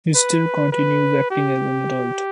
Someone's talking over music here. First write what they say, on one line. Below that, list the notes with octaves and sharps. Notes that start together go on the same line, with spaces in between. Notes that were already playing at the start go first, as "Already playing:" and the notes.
He still continues acting as an adult.
B4
B4
G4